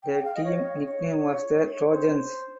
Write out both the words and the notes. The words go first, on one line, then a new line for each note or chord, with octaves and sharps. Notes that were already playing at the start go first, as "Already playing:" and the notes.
The team nickname was the Trojans.
G5
G5
F5
D#5
C#5
C#5
C#5
C5